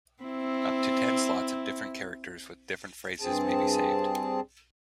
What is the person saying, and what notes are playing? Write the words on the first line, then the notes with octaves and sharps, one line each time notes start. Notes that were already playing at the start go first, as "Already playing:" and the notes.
Up to ten slots of different characters with different phrases may be saved.
C4 E4
G2 C4 G#4 A5